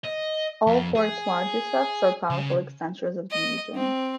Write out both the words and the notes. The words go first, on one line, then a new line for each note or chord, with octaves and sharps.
All four quadriceps are powerful extensors of the knee joint.
D#5
F2
G#4
C#3
D#5
C4